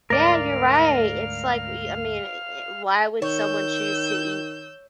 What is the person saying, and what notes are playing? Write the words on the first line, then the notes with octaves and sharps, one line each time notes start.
Yeah, you're right. It's like, y I mean, e e why would someone choose to eat
D2 G#2 A3 A#4 D5 F5
D#3 C#5 E6 G6